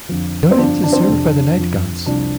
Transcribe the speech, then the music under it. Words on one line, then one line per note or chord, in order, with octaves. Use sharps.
Nodens is served by the Nightgaunts.
F2 D3 F3
C4
G2 D3 F3 D4
D4
C4
D4
F2 C3 F3
F2 F3
C2 C3 F3 D4